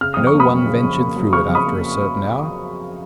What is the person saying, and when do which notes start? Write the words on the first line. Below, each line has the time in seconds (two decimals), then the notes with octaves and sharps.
No one ventured through it after a certain hour.
0.01 C#3 F6
0.14 F2 D#6
0.27 C#6
0.34 A#3
0.40 B5 D#6
0.50 F#3
0.67 C#3
0.84 F2
1.00 A#3
1.16 F#3
1.33 C#3 C#6 F6
1.49 F2
1.55 B5 D#6
1.66 A#3